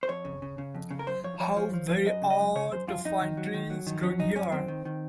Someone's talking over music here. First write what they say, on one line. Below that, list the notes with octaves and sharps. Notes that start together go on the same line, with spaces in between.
How very odd to find trees growing here!
C5
F2 C#5
C#3
C#3
C#3
F2
C#3
A#4
F#2 C5
F3 C#5
F3 C#5
F3
F3
F3
F#2 D#5
C#3
D#5
F#2
C#3 C#5
F#2 C5
F#2 F4
F2 D#4
D#3
F#3
D#3
F#3
D#3
F#3 C#4
F#2 D#4
F#2 C#4
D#3 C4
D#3
D#3